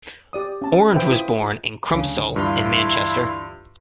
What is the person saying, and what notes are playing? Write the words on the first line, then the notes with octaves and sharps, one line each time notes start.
Orange was born in Crumpsall in Manchester.
G4 D5 D#6
C#4 A5
B4 C5 E5 G5
E4 F4 D#6
D2 C#3 F#3 D4
G2 E3 E4 F4